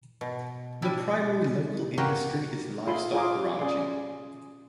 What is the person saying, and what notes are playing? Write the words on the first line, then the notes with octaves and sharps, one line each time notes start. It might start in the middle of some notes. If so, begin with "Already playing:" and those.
The primary local industry is livestock ranching.
B2
G3 D4 E4
A#3 B3 F#4 G4
F4 G#4 E5 B5 C6
F4 G#4 A#5 D6
C#4 G#4 D5 C6